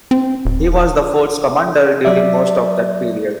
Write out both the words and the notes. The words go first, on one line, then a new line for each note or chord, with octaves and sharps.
He was the fort's commander during most of that period.
C4
D#1
F#3 D5 E5